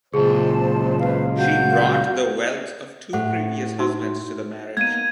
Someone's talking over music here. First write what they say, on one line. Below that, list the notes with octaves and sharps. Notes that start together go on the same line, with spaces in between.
She brought the wealth of two previous husbands to the marriage.
C#2 A#2 G#4 C5 A5
B4 C5 F5
F#4 F5 G6
A2 A4 C5 F#5
D#4 F#4
A#3 B3 D#4 G#6 D#7